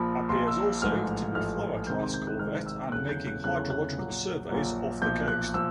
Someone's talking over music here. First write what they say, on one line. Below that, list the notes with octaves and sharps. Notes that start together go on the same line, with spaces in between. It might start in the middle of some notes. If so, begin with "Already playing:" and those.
Appears also to be Flower Class corvette and making hydrological surveys off the coast.
Already playing: A#1 A#2 F3 B5
A#1 A#2 F3 C6
E6
A1 G#2 F3 A3 F6
A1 G#2 F3 A3 F6
C#2 C3 D#3 G#3 C4 G6
G6
F#6
C#2 C3 D#3 G#3 C4 F6
E6
E2 C#3 F#3 A3 C#4 F#6
G6
F#6
E2 C#3 F#3 A3 C#4 F#6
F#6
A#1 A#2 F#3
A#1 A#2 F#3
B1 A#2 F3 G6
F#6
A#2 F3 E6